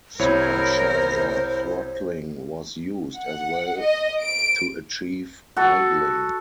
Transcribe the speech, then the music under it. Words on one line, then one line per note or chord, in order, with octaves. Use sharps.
Supercharger throttling was used as well to achieve idling.
C2 E4 A#4 C5 C#5
F#5
D#5
D7
F#4 A4